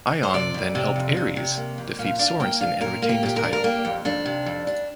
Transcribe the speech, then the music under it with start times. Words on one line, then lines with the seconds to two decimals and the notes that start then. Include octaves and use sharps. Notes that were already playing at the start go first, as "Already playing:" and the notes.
Ion then helped Aries defeat Sorensen and retain his title.
0.23 C5
0.34 C3 D5
0.54 F2
0.75 C3
0.96 F2
1.17 C3
1.36 C3
1.57 A#3
1.78 F2
1.99 A#2 F5
2.19 D4 F5
2.40 A#3 G5
2.60 D4 F5
2.81 A#2 A#4
3.02 A#3
3.09 G4
3.23 A#2 G4
3.37 A#4
3.44 D4
3.53 A#4
3.64 A#3 G4
3.85 F2
4.05 F2 D4
4.26 C3
4.46 F2
4.67 D4